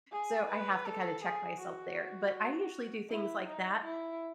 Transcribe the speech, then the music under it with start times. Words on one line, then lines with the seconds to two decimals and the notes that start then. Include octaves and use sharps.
so I have to kinda check myself there. But I usually do things like that.
0.12 G#4
0.49 B4
0.86 A4
1.23 G#4
1.60 F#4
3.09 E4
3.47 D#4
3.84 E4